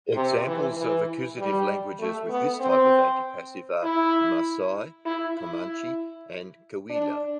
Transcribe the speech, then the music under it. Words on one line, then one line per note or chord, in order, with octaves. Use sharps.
Examples of accusative languages with this type of antipassive are Maasai, Comanche and Cahuilla.
C3
E3
E3
G3
A3
B3
C4
E4
E4
E4
D4